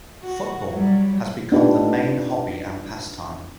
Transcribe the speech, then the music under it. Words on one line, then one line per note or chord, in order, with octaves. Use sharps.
Football has become the main hobby and pastime.
F#4
F#3 G3
B3 D4 D#4 F4 G4 B4